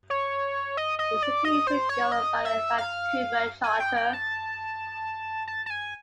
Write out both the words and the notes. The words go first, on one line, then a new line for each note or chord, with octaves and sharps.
The city is governed by the Vancouver Charter.
C#5
D#5
D#5
D5
D#5
C5
C#5
D#5
E5
F5
G#5
G5
G5
A5
A5
A5
G#5